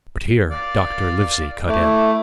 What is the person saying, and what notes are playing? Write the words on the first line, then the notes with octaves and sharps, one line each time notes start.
But here Dr. Livesey cut in.
D5 F5
A3 E4 D6